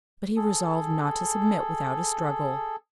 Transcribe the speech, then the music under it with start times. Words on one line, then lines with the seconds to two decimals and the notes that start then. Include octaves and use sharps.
But he resolved not to submit without a struggle.
0.37 G#4 A4